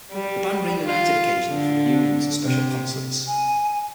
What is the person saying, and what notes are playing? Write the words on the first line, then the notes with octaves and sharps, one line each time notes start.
The band reunited occasionally for reunions and special concerts.
G3
F4
D3
C3
G#5